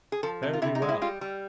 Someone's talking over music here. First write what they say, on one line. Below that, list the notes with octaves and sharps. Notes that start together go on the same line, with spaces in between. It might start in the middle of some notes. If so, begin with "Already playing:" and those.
Fare thee well!'
G#4
F3 A4
C3
F4
C3 E4
D#4
G#3
E4
G3 F4
G3